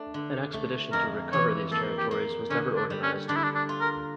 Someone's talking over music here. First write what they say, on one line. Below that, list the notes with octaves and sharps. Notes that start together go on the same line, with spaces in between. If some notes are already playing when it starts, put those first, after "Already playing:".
An expedition to "recover" these territories was never organized.
Already playing: A3 D4
D3
A3
F2 A#4
E3 C#5
A#3 A4
G4
A#3
D3 C#4
D4
G3
C#4
D3 D4
E4
D4
D4
F4
A#4